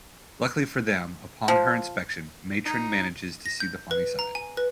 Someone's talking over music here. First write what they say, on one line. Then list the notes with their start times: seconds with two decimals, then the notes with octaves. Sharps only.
Luckily for them, upon her inspection, Matron manages to see the funny side.
1.48 F3
2.66 D#4
3.46 A#6
3.60 G6
3.91 B4
4.19 A#5
4.35 G#5
4.57 B4